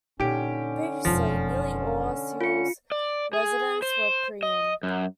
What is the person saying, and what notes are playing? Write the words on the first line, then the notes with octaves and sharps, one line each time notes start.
Previously, nearly all of Seoul's residents were Korean.
A#2 D3 C#4 D#4 G4 D7
E1 F2 F3
F4 C#7
D5
G#4
C5
D#5
F#2